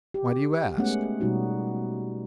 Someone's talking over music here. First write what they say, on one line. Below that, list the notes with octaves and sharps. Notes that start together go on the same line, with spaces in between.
"Why do you ask?"
G4
G#3 A3 B3 C#4 F#5
B2 G3 D#4 F#4